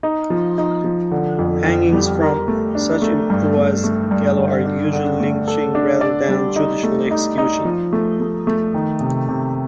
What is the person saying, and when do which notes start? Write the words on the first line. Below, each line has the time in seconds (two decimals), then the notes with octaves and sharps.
Hangings from such improvised gallows are usually lynchings rather than judicial executions.
0.03 D#4
0.30 F3
0.58 D#4
0.84 F3
1.11 D3
1.38 F2
1.66 F2
1.93 G3
2.21 A#4
2.48 A3
2.75 D4
3.02 A3
3.30 G2
3.57 A3
3.84 A3
4.11 G2
4.38 D3
4.65 D4
4.93 D3
5.20 A3
5.47 A4
5.75 D4
6.01 D5
6.29 G3
6.56 D#4
6.83 A3
7.11 D#4
7.38 D#4
7.65 F3
7.93 A3
8.20 A3
8.47 A3
8.74 D#3
9.01 C3
9.28 C3